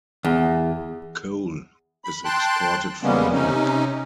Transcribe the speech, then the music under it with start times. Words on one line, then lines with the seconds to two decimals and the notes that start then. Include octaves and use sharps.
Coal is exported from here.
0.25 E2
2.05 B5
2.25 G5 A5 C6 F#6
3.03 C#3 G3 G#3 A#3 B3 C#4
3.33 C3 C#4 D#4